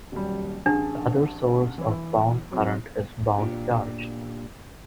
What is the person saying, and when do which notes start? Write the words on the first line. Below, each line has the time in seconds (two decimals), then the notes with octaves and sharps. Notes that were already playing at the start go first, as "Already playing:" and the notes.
The other source of bound current is bound charge.
0.12 D#1 F#3 G3
0.66 A1 D4 G#4 A5
1.78 E3 E4
2.51 F#3 C4
3.37 A#2 D4 G4